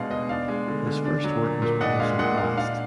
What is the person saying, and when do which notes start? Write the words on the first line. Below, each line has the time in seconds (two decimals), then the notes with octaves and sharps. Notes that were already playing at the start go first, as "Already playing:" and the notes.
His first work was published in Blast!
Already playing: B2 G#3 D4 D#5 F5 F#5
0.11 B2 D#5
0.29 D4 F5
0.48 G#3
0.68 D3
0.87 D3
1.05 D4
1.24 F#3
1.43 A#2
1.62 A#2
1.81 D4 D#5 F#5
2.00 G#3 F5
2.19 A#2 D#5 F#5
2.38 A#2 F5
2.58 D4 F5